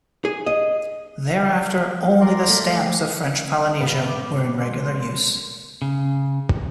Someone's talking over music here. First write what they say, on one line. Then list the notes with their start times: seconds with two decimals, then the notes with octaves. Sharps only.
Thereafter only the stamps of French Polynesia were in regular use.
0.25 G#4
0.46 D#5
2.21 A#4 D5 C6
2.48 A3
2.73 G4
3.80 G#2 B2 A3 B4 F5 B5
4.07 D6
4.62 G#3 B3 A#4 C6
5.82 C#3